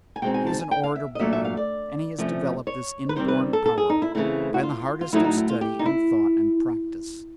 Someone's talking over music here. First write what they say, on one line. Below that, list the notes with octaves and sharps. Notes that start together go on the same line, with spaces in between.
He is an orator born, and has developed this inborn power by the hardest of study and thought and practice.
G#5
B2 G#3 C4 D#4 G5
G#5
A5
G#5
G5
F5
E5
D#5
A#2 F#3 A3 D4 E5
E5
F5
D5
C3 F3 A3 C#4
C#5
B4
D#3 G3 C4 C5
B4
A4
A4
G#4
D#4
E4
C#3 E3 A3 C4 E4
F#4
F4
F4
A2 F#3 A3 C4 D#4 E4
D#4
E4
F4
G4
D#4
E4